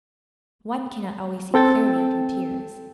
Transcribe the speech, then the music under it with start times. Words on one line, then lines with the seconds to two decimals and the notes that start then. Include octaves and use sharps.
One cannot always see clearly--through tears.
1.54 C4 A4 G5 A6